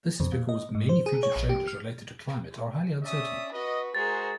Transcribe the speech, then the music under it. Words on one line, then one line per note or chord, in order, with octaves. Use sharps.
This is because many future changes related to climate are highly uncertain.
F2
A#2
D#5
G#2
C5
G#4
C#5
A#1
G4
F6
C#4 D5 E5 D#6
F#4 B4 D#5
G#3 F#4 G#4 A#4 C5 A6